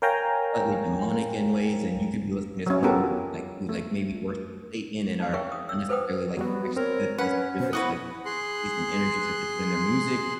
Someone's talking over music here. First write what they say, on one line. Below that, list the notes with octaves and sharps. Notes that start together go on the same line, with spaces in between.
slightly demonic in ways, and you could be listening to someone who could like who, like, maybe worship Satan and are not necessarily, like, actually good to listen to because like the frequencies and energies that they put in their music,
A#4 C#5 F5 G5 G#5 A#5
F#3 C#4
B3 C#4 F4 G4 A4 A#4
A3
D#4 F5
G#4 A#4 C#5 E5 G5 C#6
D#6
E6
A4 B4 C5 F#5 G5 D#6
F#3 G3 B3 F#4
C4 A#4 C#5
C#4 B4 F#5 B5
B2 C5
B3 E4 F#4 B4 D#6
G#4 C6 F#6